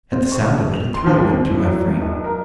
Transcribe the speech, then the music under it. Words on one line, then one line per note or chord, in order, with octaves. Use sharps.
At the sound of it, a thrill went through my frame.
C4
C#6
A#1
F7
C6
D#2
C4
A2
F#3
G2
B1
A#4